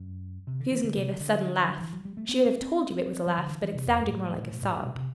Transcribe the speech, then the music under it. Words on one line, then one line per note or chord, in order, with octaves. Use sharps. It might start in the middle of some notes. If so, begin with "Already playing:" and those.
Susan gave a sudden laugh--she would have told you it was a laugh--but it sounded more like a sob.
Already playing: F#2
C3
D3
E3
D3
C3
D3
D3
E3
F#3
G3
A3
B3
C4
C4
F#3
D3
E3
E3
C3
E2
F#2
A2
D3
C3
B2
A2
G2
B2
C3